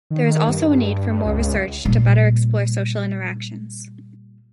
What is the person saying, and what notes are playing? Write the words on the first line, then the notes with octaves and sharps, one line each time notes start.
There is also a need for more research to better explore social interactions.
D#3
G2
C#2
A#2 G3